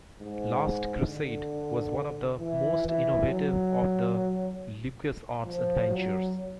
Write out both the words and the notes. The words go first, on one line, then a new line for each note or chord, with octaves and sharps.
"Last Crusade" was one of the most innovative of the LucasArts adventures.
G#2
D3
E3
E3
F#3
F3
F#3